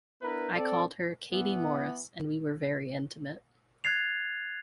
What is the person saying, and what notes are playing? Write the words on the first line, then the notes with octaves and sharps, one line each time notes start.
I called her Katie Maurice, and we were very intimate.
B3 D4 E4 A#4 B4
C4 A4 D5
E3 B3
F#6 G#6 A6 C7 F7